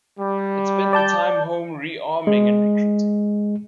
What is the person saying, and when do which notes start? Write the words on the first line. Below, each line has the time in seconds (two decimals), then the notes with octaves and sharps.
It spent the time home re-arming and recruiting.
0.19 G3
0.93 D5 A5 G6
2.27 G#3